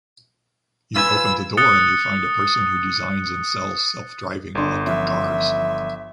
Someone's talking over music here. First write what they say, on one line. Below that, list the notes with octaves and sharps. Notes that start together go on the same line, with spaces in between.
You open the door and you find a person who designs and sells self-driving electric cars.
F4 B4 G#5 E6
D#6 F#6 A6 C#7 G7
G1 D4 G#4 C6
E3 F3 C#4 E5